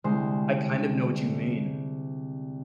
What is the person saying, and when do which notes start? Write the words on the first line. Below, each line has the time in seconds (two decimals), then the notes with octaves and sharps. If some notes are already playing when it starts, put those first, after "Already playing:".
I kind of know what you mean.
0.04 C2 D3 G#3 C5